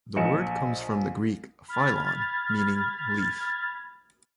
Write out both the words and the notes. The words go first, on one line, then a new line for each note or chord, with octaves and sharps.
The word comes from the Greek "phyllon", meaning "leaf".
A#1 D#5 C#7 E7
B5 F6 G#6 A6